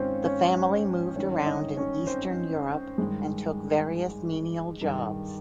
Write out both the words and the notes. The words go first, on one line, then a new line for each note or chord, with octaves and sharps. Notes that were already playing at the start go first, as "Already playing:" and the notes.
The family moved around in eastern Europe and took various menial jobs.
Already playing: G#2 D#3 C4 C#4 F4 C5 C#5 F5
C#4 C#5
G2 D#3 C#4 C#5
D#4 D#5
C#4 C#5
C4 C5
G2 D#3 G#3 G#4
G2 D#3